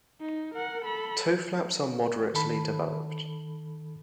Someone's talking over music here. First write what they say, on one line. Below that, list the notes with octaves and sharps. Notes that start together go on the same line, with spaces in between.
Toe flaps are moderately developed.
D#4
A#4 F#5
A4 B5
D#3 A4 B5